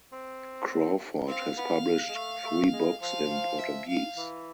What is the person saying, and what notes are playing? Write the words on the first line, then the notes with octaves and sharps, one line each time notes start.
Crawford has published three books in Portuguese.
C4
C4 F5
B3
G#3
A3
A3
G#3
F3 F5
E5
F5
E3